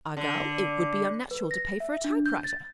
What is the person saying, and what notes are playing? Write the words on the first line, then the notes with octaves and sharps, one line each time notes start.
Argal, it would be unnatural to pay for a typewriter.
D3
B4
A#6
E5
D4
G6
A6